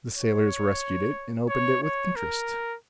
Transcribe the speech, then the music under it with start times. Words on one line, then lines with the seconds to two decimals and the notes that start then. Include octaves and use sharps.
The sailors rescued it and opened it with interest.
0.16 C#5
1.49 C#5
1.83 C#5
2.16 A#4